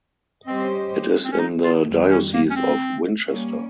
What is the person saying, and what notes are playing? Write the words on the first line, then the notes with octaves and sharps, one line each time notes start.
It is in the Diocese of Winchester.
G3 C4 C#4 G4 C5 D#5
C4
C#4
D#4
F4
F2 D#3 G3
C#4
A#3
C#4
C4
G3 A#3 C#4